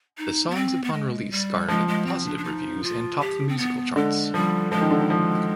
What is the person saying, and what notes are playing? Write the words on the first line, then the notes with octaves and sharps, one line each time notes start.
The songs upon release garnered positive reviews and topped the musical charts.
D#4
B3
C4
B3
G#3
G3
F3 G#3
G#3
C4
D4
D4
D#4
F4
G4
C4
B3
D3 G#3
F3 G3
F3 G#3
D#3
D3
D#3
F3